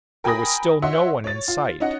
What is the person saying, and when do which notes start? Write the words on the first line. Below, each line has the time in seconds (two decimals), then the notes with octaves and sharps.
There was still no one in sight.
0.24 A#4 G5 G#5 B5 D#6 A#6
0.82 C#5 D#5 E5 F#5 C6
1.24 C#5 A6
1.48 F4
1.80 C#4 D#4 D#5 F#5